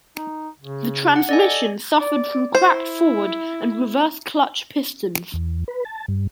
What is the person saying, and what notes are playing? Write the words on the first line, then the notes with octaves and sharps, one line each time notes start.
The transmission suffered from cracked forward and reverse clutch pistons.
D#4
C#3
F#5
A4 D5 D#5 G#5
D5
E4 C5
E2
B4
A5
G2